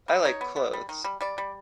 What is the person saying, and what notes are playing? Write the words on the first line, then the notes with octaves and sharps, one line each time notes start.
I like clothes.
G3
D#4 C#5
B3
B3
G3
D#3
G3
G3 D5
G3